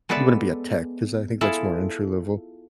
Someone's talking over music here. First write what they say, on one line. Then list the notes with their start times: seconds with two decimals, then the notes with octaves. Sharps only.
you wouldn't be a tech 'cause I think that's more entry level.
0.09 G#3 B3 A4 B4 D5 E5
1.41 E4 F4 G#4 A4 E5